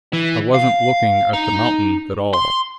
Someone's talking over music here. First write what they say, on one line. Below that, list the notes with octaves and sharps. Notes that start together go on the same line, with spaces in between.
I wasn't looking at the mountain at all.
E3
F5
D#4
C6